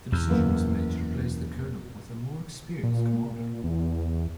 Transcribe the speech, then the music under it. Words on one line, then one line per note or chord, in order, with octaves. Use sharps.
The decision was made to replace the colonel with a more experienced commander.
E2
F#2 A#3 B3
A#2
E2